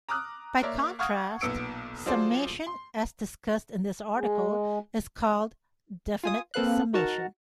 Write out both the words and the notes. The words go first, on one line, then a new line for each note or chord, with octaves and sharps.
By contrast, summation as discussed in this article is called "definite summation".
A#5 D6 D#6 F6 F#6
A#3 A#4 C#5 D5 E5
F5 F#5 C#6 D#6 F6 G#6
B1 A#2 B3 E6 C#7 D7
F#3 F4 G#4 A4 C5 D5
C6
G#3
F4 G#5 D#6
A#3 C4 A4 B4 F5 F#6
D#4 F#4 A#4 F#5 A5 A#5